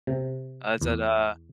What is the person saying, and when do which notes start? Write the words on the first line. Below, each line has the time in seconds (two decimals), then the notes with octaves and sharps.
Uh, is that, uh
0.07 C3
0.81 E2